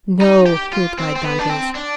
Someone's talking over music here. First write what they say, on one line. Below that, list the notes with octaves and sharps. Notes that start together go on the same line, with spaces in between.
"No," replied Dantes.
D#4
G4
F4
C4
C4
B3
D4
C4
D4